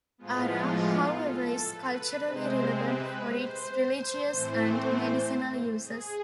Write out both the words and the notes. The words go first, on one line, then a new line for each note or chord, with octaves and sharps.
Ara, however, is culturally relevant for its religious and medicinal uses.
A2 F3 G#3 B3 F4
A4
B4
C3 G#3 C4 C5
B4
C5
C5
A2 E3 A3 C4
G#4